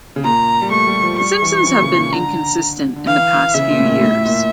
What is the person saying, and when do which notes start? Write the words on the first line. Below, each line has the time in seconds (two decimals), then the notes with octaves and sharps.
The Simpsons have been inconsistent in the past few years.
0.16 C#3
0.24 A#2 A#5
0.61 G3
0.71 A3 C#6
0.87 G3
1.03 F3
1.18 G3 C#6
1.42 E3
1.62 F3
1.66 E3
1.76 A#2
1.82 C#3
1.97 A#2
2.12 D3 A#5
2.96 D3
3.07 E3 F5
3.54 C#3 E5
3.70 A#2
3.79 A2
3.85 A#2
4.01 A2
4.25 A#2